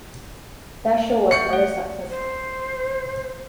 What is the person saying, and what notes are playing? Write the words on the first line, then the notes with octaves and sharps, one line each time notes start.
That show was successful.
E5 C#6 G6 C#7
A3 C#5
C5